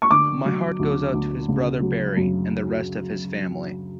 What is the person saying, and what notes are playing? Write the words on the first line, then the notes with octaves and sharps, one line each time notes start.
My heart goes out to his brother Barry and the rest of his family.
C#6
D3 D6
F#3
D2
D2
C#3
F#3
F#2